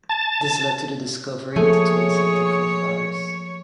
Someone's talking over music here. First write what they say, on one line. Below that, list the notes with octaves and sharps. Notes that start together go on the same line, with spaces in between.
This led to the discovery that the twins had different fathers.
A5
F3 A3 A#3 G#4 C#5 G#5